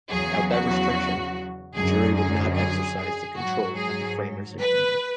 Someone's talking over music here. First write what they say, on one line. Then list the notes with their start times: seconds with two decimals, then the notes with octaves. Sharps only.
Without that restriction, the jury would not exercise the control that the Framers intended.
0.12 E2 C#3 F#3 G#4
0.53 F#4
1.74 F#2 D3 F#3 G#4
2.15 G#4
2.56 G#4
2.96 G#4
3.37 G#2 F#3 F#4
3.78 G#4
4.59 B4